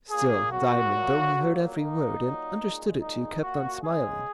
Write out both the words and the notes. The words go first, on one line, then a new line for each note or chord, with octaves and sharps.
Still Diamond, though he heard every word, and understood it too, kept on smiling.
A#2 A#3 G#4
C#3 F#3 A#3 F#4
A#2 F#3 A#3
A#2 F#3 A#3
D#3 A#3 D#4
A#2 F#3 A#3
A#2 G#3
A#2 G#3 D#4
A#2 A#3 F#4
C#3 G#3 G#4